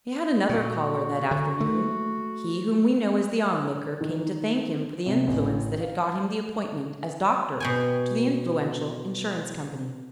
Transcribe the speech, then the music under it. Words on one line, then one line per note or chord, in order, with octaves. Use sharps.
He had another caller that afternoon; he whom we know as the Onlooker came to thank him for the influence that had got him the appointment as doctor to the Influential Insurance Company.
A#2 F#4
D3
A3
D#3
C3
A1
F5
B2 G5 G#5